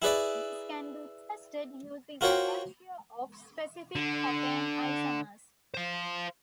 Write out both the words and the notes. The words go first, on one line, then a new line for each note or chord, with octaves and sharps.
This can be tested using a ratio of specific hopane isomers.
E4 G#4 B4 D5 E5
F4 F#4 A#4 C5 C#5 G5
D3
C5 F5